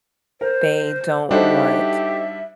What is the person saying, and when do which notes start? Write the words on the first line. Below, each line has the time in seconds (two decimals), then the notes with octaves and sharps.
they don't want
0.41 A#4 C5
1.31 G3 D4 D#4 F#4 G4 A4 C5 E5